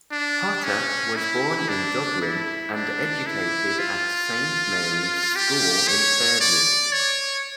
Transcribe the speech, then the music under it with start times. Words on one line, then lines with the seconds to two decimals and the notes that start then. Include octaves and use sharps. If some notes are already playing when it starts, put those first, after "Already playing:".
Potter was born in Dublin and educated at Saint Mary's school in Fairview.
0.11 D4
0.64 C#4
1.16 E4
1.69 D4
2.22 E4
2.74 D4
3.27 E4
3.79 F4
5.36 G4
5.88 C#5
6.41 D5
6.93 C#5